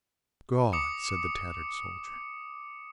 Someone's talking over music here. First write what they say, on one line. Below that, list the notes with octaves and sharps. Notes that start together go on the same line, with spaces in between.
"God!" said the tattered soldier.
D6 D#6 C#7